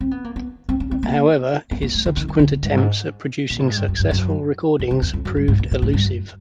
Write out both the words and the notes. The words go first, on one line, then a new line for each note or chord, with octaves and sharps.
However, his subsequent attempts at producing successful recordings proved elusive.
C4
B3
A#3
B3
C4
C#4
C4
A#3
B3
A#3
A3
D#3
D#3
D#3
D3
A#2
G#2
G2
G#2
A#2
A2
G#2
G2
F#2
F#2
F#2
F2
E2
E2
F2
F#2
G2
G#2
A#2
A#2
A2
G2
F#2